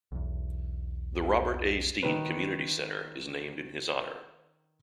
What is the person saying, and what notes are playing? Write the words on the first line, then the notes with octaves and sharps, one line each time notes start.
The Robert A. Steen Community Centre is named in his honour.
B1 E2
D#3 B4